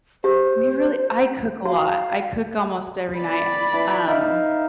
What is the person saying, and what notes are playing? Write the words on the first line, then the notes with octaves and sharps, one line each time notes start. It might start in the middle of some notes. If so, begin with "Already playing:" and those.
We really I cook a lot. I cook almost every night. Um,
G4 C5
F#4 F5
D5 B5
E3
D#4 E5 F5